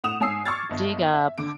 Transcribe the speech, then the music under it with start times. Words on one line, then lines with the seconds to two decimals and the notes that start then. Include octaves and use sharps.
dig up
0.04 A2 F#5 D#6 E7 F7
0.20 G#2 C#5 G#5 D#6 E6 C7
0.45 C#6 D6 E6 F6 G#6 A6
0.70 G1 D#5
1.14 E5
1.38 D3 D6 D7